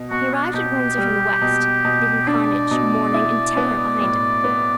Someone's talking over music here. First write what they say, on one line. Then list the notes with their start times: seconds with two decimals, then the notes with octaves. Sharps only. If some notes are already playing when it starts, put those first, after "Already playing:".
He arrived at Windsor from the West, leaving carnage, mourning, and terror behind him.
Already playing: B2
0.10 B2 F#4
0.33 D4
0.54 B2 G4
0.97 G3
1.42 B2
1.85 B2
2.27 D4 D5
2.71 B2
3.14 E4
3.57 B3
4.01 A2
4.44 B3